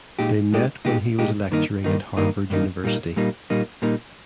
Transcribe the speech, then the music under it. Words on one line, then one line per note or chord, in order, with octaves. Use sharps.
They met when he was lecturing at Harvard University.
A#2 G#3 D#4 G4
A#2 G#3 D#4 G4
A#2 G#3 D#4 G4
A#2 G#3 D#4 G4
G2 D#3 A#3 D#4
G2 D#3 A#3 D#4
G2 D#3 A#3 D#4
G2 D#3 A#3 D#4
A#2 G3 A#3 D#4
A#2 G3 A#3 D#4
A#2 G3 A#3 D#4
A#2 G3 A#3 D#4